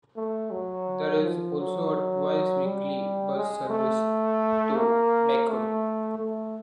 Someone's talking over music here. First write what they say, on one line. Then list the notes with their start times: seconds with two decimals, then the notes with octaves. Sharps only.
There is also a twice weekly bus service to Macroom.
0.16 A3
0.51 F#3
1.23 F3
1.58 F#3
2.64 G3
3.36 G#3
3.70 A3
4.77 A#3
5.49 A3
6.19 A3